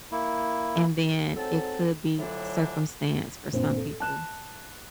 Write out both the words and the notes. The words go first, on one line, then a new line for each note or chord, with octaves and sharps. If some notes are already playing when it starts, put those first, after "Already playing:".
and then it could be circumstance for some people.
A#3 E4
G#2 F#3 C4 A4
F2 A2 D3 E3 F#3 D4
G2 A#2 C4
A4
A5 F#6 E7